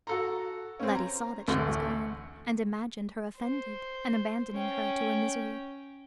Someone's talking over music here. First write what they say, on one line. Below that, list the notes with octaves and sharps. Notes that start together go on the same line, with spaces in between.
Letty saw that she was going, and imagined her offended and abandoning her to her misery.
F#4 A4 A#5
C4 C#4
A#5
A1 D2 A3
C5
C#4 G5